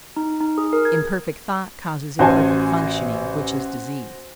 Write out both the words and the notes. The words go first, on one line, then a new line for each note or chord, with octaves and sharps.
Imperfect thought causes imperfect functioning, which is disease.
D#4
D#4
G#4
A#4
G#6
A1 F#4 C5 G#5